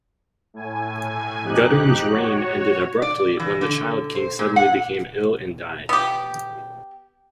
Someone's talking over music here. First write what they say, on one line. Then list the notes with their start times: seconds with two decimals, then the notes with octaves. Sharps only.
Guttorm's reign ended abruptly when the child king suddenly became ill and died.
0.54 A2 G#5
1.42 F2 D#4 G4 F#6
2.09 F#4 C#5
3.02 D5
3.40 E3
3.61 D3
4.15 C5
4.39 A#2
4.56 F#5
5.89 B3 G4